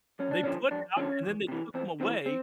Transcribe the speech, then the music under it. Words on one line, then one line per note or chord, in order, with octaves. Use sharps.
they put it out, and then they took 'em away
F2 C#4
D4
D3 F3 C#4
F2 D4
D3 F3 C#4
E2
C3 E3
E2 C4
C3 E3 C4
C4